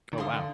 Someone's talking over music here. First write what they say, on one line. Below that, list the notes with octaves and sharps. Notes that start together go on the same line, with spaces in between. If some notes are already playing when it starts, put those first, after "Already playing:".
Oh, wow.
D#3
D3 D5 F5 C6 D#6
D3